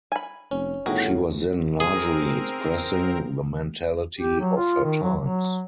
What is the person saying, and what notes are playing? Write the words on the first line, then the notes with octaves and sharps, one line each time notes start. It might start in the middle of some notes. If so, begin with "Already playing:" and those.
She was then largely expressing the mentality of her times.
G#5 B5
F1 C#4
G1 A2 D#3 F#4 G#4
C4 G#4 A#4
G4
F#3
F4
D#3
F#3
F#3